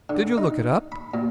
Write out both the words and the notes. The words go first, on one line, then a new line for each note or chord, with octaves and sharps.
"Did you look it up?"
D3
D#4
B5
A#2